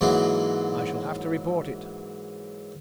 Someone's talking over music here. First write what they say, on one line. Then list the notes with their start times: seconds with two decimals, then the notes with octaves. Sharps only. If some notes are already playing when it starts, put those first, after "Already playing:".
"I shall have to report it."
0.01 G#2 E3 F#3 G#3 A#3